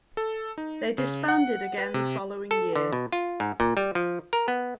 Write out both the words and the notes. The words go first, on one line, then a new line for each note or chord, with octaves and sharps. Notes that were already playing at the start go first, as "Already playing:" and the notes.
They disbanded again the following year.
A4
D#4
C#3
F#5
B4
C3
A4
D3
B2
F4
G#2
A#2
G3
F3
A#4
B3